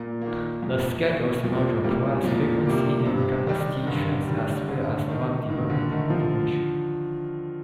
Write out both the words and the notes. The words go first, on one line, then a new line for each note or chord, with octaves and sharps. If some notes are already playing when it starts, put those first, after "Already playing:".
The schedules module provides frequency and capacity trends as well as route development information.
Already playing: A#2
D#3 A#3
F2
D#3 A#3
F2 A#2
A2 C3 G3 A#3
F2 A#2
C3 G3 A#3
G2 C3
D#3 G3
D#3
G2 D3
D#3 G3
G2 D3
D#3 A3 D#4 A#4
G2 D#3
D3
D3 D#3 A3 D#4 A#4
F3